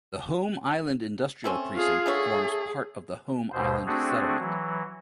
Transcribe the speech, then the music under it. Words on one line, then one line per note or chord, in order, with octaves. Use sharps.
The Home Island Industrial Precinct forms part of the Home Island settlement.
A3 C4 C#4
F4 G#4
D3 A3 G#4 C#5
D#2 B2 C5
A3 C4 D4 F#4 G#4
E3 F#3